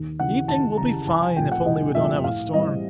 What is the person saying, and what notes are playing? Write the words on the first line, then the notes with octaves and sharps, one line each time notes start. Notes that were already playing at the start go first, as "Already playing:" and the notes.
The evening will be fine, if only we don't have a storm.
Already playing: D#2
C#3 E3 F#5
D#2 A5
C#3 A#5
E3
C2 A5
G#5
A#2 F3 A3 C4 G5
F#5
C2 D#5
A#2 F3 A3 C4 E5
A2 F5
E3 G3 C4 D#5